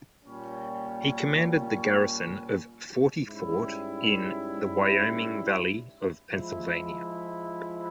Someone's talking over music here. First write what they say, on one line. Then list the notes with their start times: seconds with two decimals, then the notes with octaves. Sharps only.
He commanded the garrison of Forty Fort in the Wyoming Valley of Pennsylvania.
0.24 A#2 G3 C#4
3.27 G#2 G3 C#4 E4
6.29 F3 G#3 E4